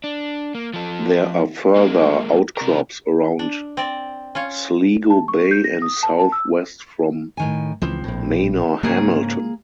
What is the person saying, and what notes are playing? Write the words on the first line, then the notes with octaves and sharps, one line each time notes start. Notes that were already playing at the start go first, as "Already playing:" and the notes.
There are further outcrops around Sligo Bay and southwest from Manorhamilton.
D4
A#3
F3 A4
G#3 A#3
C3 A#4
D4
C4 D5
C#4 F4 C#5
A5
C#6
G6
A#6
D#6
A5
A5
E6
A2 D#3 G#5
C#2 E3 F3 C4
A#1 A2
G#2 C#3 A#3 G#4